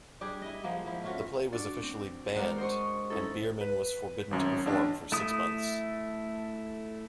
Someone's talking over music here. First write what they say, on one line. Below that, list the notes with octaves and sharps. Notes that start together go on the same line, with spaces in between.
The play was officially banned and Biermann was forbidden to perform for six months.
G3 D4 G4 G#4
E4 D#5
F3 G#3 A#3 B3
F3 E4
A3 C#4 F4 F#4
D4 F#4 D5
C4
G#3 A#4 C5 D5 F#5
C5 D#5 C6 C#6
C#4 D#4 E4 A4
B4
G#1 F#2
A1 D4
A3 E4 D#6